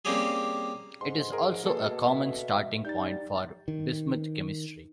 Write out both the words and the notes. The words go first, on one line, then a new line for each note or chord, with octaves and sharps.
It is also a common starting point for bismuth chemistry.
G3 A#3 C4 C#4 G4 G#4
G#2 C6
G#2 G#4 A#4
B2 A#3 G#4 A4
E5
G3 D#4 G6 A6
D#3